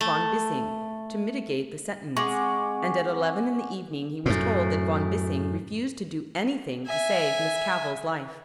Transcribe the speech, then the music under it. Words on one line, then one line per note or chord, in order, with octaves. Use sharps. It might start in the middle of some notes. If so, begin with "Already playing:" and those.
Von Bissing to mitigate the sentence, and at eleven in the evening he was told that Von Bissing refused to do anything to save Miss Cavell's life.
A3
G#3 C4 F#5 G#5 C#6 D6
F#2 A2
E5 G#5